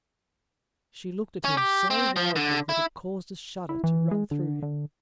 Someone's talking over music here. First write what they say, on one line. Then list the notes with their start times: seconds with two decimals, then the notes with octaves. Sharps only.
She looked at him so wildly that it caused a shudder to run through him.
1.44 C#4
1.57 G4
1.90 C4
2.16 F3
2.36 D3
2.69 E4
3.69 E4
3.84 E3
4.11 G#3
4.31 D3
4.63 D3